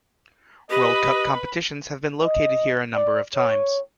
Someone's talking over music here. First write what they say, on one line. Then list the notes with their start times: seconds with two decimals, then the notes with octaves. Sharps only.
World Cup competitions have been located here a number of times.
0.70 G4 B4 D#5 B5
2.24 D#5
2.95 D5
3.36 C#5